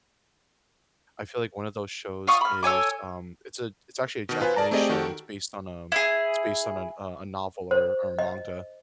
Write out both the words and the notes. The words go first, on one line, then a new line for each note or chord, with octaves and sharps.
I feel like one of those shows is, um, it's a it's actually a Japanese show, it's based on, um it's based on a a a novel, or or a manga,
F4 F5 C#6 D#6
B5 F6
A4 C#5 G#5 D6
B2 D#3
F4 B4 C5 G#5
G#4 A#4 D5 A5 A#5
A3 C4 G4 G#4 D5 D#5
D#3 F#4 G4 A4
E4 G#4
C5
D#5